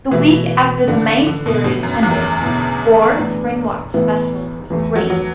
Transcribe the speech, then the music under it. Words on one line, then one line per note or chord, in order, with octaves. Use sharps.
The week after the main series ended, four "Springwatch Specials" were screened.
B2 E3 A3 E4
A2 D3 A3 D4
D3
B2
A2 D3 F#3 B3
F#2
E2
F#2
B2 D3 B3 E4
A2 E3 B3 D4
A2 E3 B3 E4
E2 E3 A3
F#3
F#3